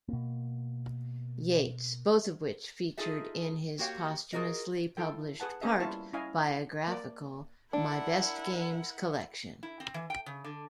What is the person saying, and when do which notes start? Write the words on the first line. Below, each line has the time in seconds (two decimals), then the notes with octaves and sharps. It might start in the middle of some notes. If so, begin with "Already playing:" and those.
Yates, both of which featured in his posthumously published, part-biographical, 'My Best Games' Collection.
0.09 B2 A#3
2.97 D#4 F4 G#4 A4 E5
3.78 A#3 F#4 G4 C#5 F5 G5
4.33 F4 F#4 G#4 A#4 D#5
4.97 E4 F4 A4 G5
5.40 G#4 B4 F#5 A5
5.61 A#3 B3 C#4 G#4 D#5 E5
5.80 G3 E4 F4 C#5 A5
6.13 C#4 E4 D#5 F5 G#5
6.88 A#3 D5
7.73 D4 E4 A#4 F#5
9.63 E4
9.80 C4
9.94 E3
10.10 G5
10.26 C#3
10.44 D3